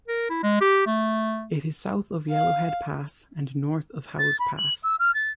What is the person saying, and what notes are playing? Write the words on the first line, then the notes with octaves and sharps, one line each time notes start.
It is south of Yellowhead Pass and north of Howse Pass.
A#4
E4
G#3
G4
A3
F5
A6
B5
F#7
E6
F6
A6